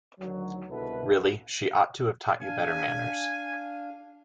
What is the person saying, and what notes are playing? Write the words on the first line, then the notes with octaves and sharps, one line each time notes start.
Really, she ought to have taught you better manners!
D2 D3 D#3 F#3
C2 B2 D3 E4 A4 B4
D4 F5 G#5